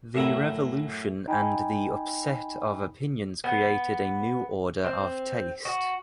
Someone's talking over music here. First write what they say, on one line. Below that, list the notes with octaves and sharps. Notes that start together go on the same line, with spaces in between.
The revolution and the upset of opinions created a new order of taste.
F#2 A2 E5 A#5 B5
D#4 G5 G#5 B5
B3
C4
F#4